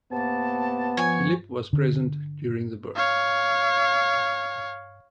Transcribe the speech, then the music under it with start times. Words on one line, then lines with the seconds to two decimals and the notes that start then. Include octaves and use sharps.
Phillippe was present during the birth.
0.12 C3 A#3 B3 A5
0.97 F3 C#5 G#5
1.73 D3
2.95 C#5 F5